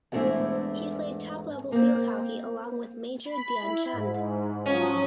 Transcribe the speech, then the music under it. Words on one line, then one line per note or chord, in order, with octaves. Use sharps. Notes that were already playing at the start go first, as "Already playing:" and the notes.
He played top level field hockey along with major Dhyan Chand.
E2 G#2 A3 C4 D4 E4
A#3 C4
B5
E4
G#2
F3 F#3 C#4 D#6